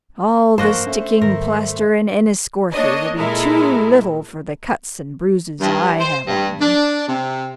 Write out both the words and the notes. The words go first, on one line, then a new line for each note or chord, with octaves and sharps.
All the sticking-plaster in Enniscorthy will be too little for the cuts and bruises I have on me.
G1 G2 F3 A#3 F#4 C5 D#5 A5
A3 C#4 D4
G#2 D#3 G3 A#4
A#3 D4 C#5 D#5
A#2 G#3 E4 A4 A#4
G2
C5
G2
D4
C3